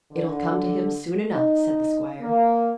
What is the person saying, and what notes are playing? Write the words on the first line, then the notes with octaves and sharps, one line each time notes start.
"It'll come to him soon enough," said the squire.
D3
D#4
A#3